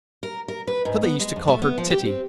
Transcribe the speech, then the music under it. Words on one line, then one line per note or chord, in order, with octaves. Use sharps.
So they used to call her Titty.
A#4
A#4
B4
G#2
B3
G#3
F2
A3
B3
F3
G4
C4